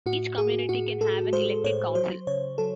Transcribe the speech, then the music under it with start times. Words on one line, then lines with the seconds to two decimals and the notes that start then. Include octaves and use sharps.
Each community can have an elected council.
0.06 A2 F#4
0.38 A2 G#4
0.69 A2 F#4
1.01 A2 A4
1.32 G#3 C5
1.64 A2 C#5
1.95 F#3 C5
2.27 C#3 C#5
2.58 F#3 A4